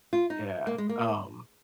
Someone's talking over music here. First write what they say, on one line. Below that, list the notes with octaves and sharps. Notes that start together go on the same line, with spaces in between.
Yeah, um,
F4
D#4
A#3
G#3
A#3